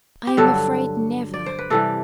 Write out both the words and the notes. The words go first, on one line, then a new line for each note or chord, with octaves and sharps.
I am afraid never....
G4
G2 D3 F#3 A4
D5
C5
B4
C3 E3 G3 A4